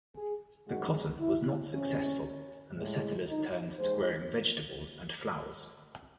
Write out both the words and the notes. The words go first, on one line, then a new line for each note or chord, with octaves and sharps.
The cotton was not successful and the settlers turned to growing vegetables and flowers.
G#4
F#2 D#3 G#3 F#4
E4
E2 C3 E3 G#3 C#4
A2 G#3
D#4
D#2 D#3 G#3 C5